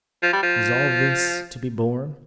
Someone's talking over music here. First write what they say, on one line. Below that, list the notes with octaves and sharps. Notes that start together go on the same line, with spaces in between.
Is all this to be borne?
F3
G3
F3